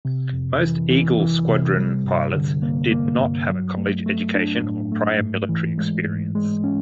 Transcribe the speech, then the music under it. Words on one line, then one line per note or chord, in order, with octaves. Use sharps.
Most Eagle Squadron pilots did not have a college education or prior military experience.
C3
F2
E3
E3
E3
C3
G3
G2
D3
A#3
A#3
G2
F#3
A3
A3
D4
A2
A3
G#2
E3
G#3
G#2
G#3
C#4